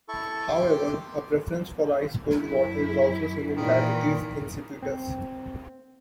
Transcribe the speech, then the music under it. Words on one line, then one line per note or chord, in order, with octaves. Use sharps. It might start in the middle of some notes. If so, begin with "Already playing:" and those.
However, a preference for ice-cold water is also seen in diabetes insipidus.
E4 A4 C#6
G4 G5 C6 D6
F#2 E4
A#2 D#3 E3
C4